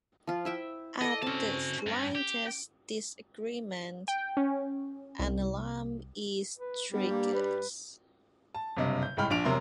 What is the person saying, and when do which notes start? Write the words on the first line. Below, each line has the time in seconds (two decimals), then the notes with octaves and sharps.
At the slightest disagreement, an alarm is triggered.
0.27 F3 F4
0.45 E4 E5 G5
1.01 A4 D5 D#5
1.22 C4 C#4 F#4 A5
1.87 G2
2.15 G4
4.08 G5
4.37 C#4
5.19 C2
6.58 B4
6.92 G2 G3 B3
7.10 A#3
7.34 B4
8.55 A5
8.76 F#1 G2 C3 D#5
9.03 G6
9.17 C2 A2 G#3 G5 B5 F6
9.30 A#1 D4 D7 F7
9.45 E1 C3 F#3 A#4 E5 C6